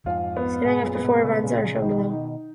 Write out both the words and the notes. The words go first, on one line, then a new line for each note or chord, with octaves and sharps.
Standings after four events are shown below.
F2 G#2 F4
B3
G#2 B2 G#4
F#2 A#2
B3
G#2 B2
A#2 C#3 G#3
A#2 C#3
G#3
A#2 C#3
B2 D#3 D#4
D#4